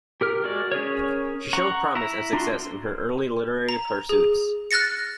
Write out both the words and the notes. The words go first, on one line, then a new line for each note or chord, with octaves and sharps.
She showed promise and success in her early literary pursuits.
G4 A#4 F6
G#3 F#4 D5
C#4 G#4 A#4 C#5
F#5 A#5 C#6
E4 A#5
D4 F4 F#4 C6
A#5
G#4
F6 F#6 A6 A#6 C#7